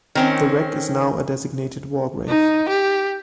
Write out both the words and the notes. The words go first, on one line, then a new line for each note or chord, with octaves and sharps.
The wreck is now a designated war grave.
D#3 C4 C#4
D#4
G4